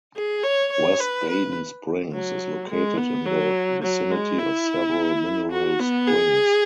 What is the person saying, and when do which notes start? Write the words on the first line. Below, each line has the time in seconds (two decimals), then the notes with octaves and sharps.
West Baden Springs is located in the vicinity of several mineral springs.
0.16 G#4
0.44 C#5
0.72 C#5
1.00 B4
1.29 B4
2.13 F#3
2.70 G#3
2.97 B3
3.26 F#3
3.83 F#3
4.11 G#3
4.39 E4
5.52 F#4
5.80 B3
6.08 G#4